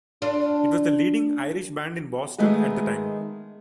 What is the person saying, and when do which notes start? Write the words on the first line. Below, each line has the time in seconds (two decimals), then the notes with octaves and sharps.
It was the leading Irish band in Boston at the time.
0.22 D4 F4
2.38 D#3 G#3 A3 B3